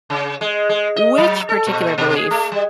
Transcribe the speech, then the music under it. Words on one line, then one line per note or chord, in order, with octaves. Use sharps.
which particular belief,
C#3
G#3
G#3
D#5
F#3
A4
A#2
B2
G#4
A3
G3